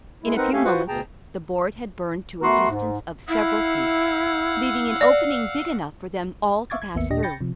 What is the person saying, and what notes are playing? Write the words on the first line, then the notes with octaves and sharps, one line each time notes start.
In a few moments the board had burned to a distance of several feet, leaving an opening big enough for them all to pass through.
G#3 E4
C4 D#4 A#4 B4 F#5
A3 C#4 G4 A4 F5 G#5
F4 F#4 B4 C5 F#5
D2 B2 G#4 G5 A5 A#5
A3 B3 F#4 A#4 C6
G#2
E4 F5 F#5 E6
D5
E5 F5 C#6 D6 G#6 A6
G#6
G#1 D#2 A#3 B3 E5 C#7
D#2 A#2 D4 G4 D#5 A#6
G5 B5 G6 A6 A#6 C#7
C3 F3